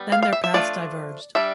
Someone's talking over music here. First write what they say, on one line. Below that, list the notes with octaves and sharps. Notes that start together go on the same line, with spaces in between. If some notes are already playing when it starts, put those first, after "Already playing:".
Then their paths diverged.
Already playing: G3 B3
F5
F5
E5
E5
F3 A3 D4 D5
G3 D4 E5